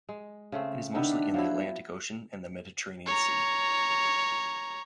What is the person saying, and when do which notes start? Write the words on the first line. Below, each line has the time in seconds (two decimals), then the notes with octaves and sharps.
It is mostly in the Atlantic Ocean and the Mediterranean Sea.
0.09 G#3
0.52 C#3 A3 C4
0.95 D#3 B3 D4 E5
1.34 F3 F#3 E4
3.07 C#5 A#5